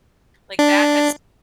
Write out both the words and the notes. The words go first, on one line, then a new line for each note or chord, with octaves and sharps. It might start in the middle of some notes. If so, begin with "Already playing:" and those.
Like, that has
D4